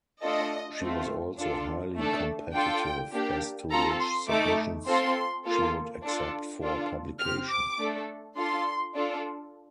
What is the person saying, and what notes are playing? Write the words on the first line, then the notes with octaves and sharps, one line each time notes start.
She was also highly competitive as to which submissions she would accept for publication.
A3 D4 F4 A4 D#5
A3 C4 F4
D4 F4 A4
A3 D4 A4
D4 F4 A4 G5
A#3 D4 G4
C4 F4 A4 A#5
C6
A3 D#4 A4 D6
C4 F4 A4 C6
A#3 F4 A4
D4 F4 A4
D4 F4 A4
C4 G4 F6
D6
A3 D4 A4
D4 F4 A4 C6
D4 F4 A4